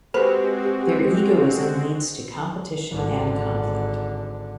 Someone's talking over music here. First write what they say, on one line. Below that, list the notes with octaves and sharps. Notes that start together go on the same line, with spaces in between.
Their egoism leads to competition and conflict.
G#3 C4 F#4 G4 B4 C5
G#1 D3